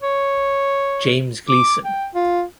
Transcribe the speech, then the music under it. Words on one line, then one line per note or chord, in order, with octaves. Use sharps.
James Gleeson.
C#5
D6
G5
F4